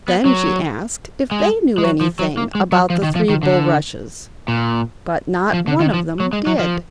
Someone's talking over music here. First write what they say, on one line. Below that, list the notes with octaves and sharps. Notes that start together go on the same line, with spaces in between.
Then she asked if they knew anything about the three bulrushes, but not one of them did.
B3
F#3
G#3
G#3
F#3
F3
F#3
A#3
G#3
F#3
F3
D#3
F3
D#3
D3
A#2
F3
D3
D#3
F3
F#3
G#3
F#3
F3